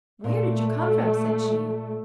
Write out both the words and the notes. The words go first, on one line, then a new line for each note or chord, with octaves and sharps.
"Where did you come from?" said she.
A#2 A3